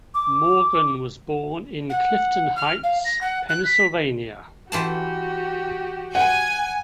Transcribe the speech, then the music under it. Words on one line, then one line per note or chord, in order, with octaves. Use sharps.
Morgan was born in Clifton Heights, Pennsylvania.
D6
F#5
F6
F5
A#6
F#5
F#6
B6
E3 F#4 G4 C5 A5
F#5 G#5